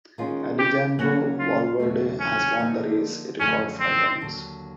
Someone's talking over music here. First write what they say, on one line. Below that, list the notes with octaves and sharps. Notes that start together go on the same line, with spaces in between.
Alejandro Valverde has won the race a record five times.
D#3 G#3 C#4 F4
G4
D2 C#3 F#3 A#3 C#4 F#4
F4
E2 C#3 F#3 A3 C4
C#4
D3 F3 A#3 D#4
F#2 D3 F3 A3 C#4
C4
D#2 D3 F#3